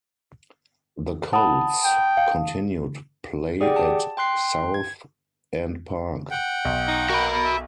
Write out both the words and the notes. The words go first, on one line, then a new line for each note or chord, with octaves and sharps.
The Colts continued play at South End Park.
F#5 A5 B5 D#6
G5
F5
G4 G#4 D5 F#5 G5
A5
G5 C6 F#6 C7
G#6
F#5 G5
B1
D#4
F#4 A#4 B5
E5